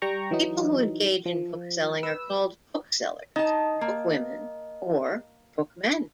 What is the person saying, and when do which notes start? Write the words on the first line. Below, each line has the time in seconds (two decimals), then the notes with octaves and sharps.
People who engage in bookselling are called booksellers, bookwomen, or bookmen.
0.02 G3 G5 A#5 C#6
0.31 E3 F#3 D#4
1.26 F3
2.03 B4 E6
3.36 D#4 D#5 A5
3.81 A#3